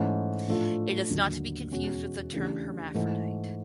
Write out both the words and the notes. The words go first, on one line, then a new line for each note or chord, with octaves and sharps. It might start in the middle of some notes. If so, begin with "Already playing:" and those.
It is not to be confused with the term hermaphrodite.
Already playing: G#2 E3 A3 C#4
A2 F3 A3 D4 F4
D#2 D3 F#3
E2 B2 G#3 C#4 F#4
C#3 E3 A3 D4 G4
G#2 E3 A3